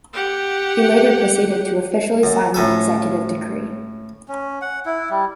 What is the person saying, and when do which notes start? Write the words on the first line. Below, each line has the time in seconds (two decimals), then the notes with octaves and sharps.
He later proceeded to officially sign the executive decree.
0.13 G4 F#5
2.23 F#2
2.54 A2 C#4 A4
4.28 C#4
4.61 F#5
4.86 E4
5.10 G3